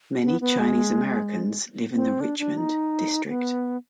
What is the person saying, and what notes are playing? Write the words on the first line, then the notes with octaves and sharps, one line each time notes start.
Many Chinese Americans live in the Richmond District.
B3
B3
G#3
C4
D4
D4
D#4
B3